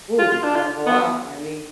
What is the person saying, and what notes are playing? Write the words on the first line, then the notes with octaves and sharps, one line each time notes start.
"Ooh, before I go off, let me
F4
F4
D4
F4
B3